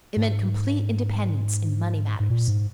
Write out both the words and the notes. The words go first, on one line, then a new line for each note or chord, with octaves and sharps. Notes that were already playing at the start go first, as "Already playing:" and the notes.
It meant complete independence in money matters.
G#2
G#2
A#2
G#2